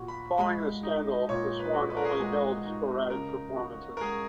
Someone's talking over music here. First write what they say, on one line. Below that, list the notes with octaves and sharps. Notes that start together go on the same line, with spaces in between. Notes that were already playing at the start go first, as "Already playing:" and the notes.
Following the scandal, the Swan only held sporadic performances.
Already playing: A#2 F#4
B5
G#3 B5
D#4
A#2 C#5
B4
F#4
B4
A#4
G#4
A#4
G#3
D#4
C#3 A#4
F#4
A#4
G#3 G#4